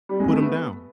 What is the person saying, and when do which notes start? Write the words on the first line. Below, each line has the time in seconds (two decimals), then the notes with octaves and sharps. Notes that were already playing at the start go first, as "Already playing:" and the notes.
put 'em down,
0.09 G3
0.20 G#3
0.31 A3
0.41 B3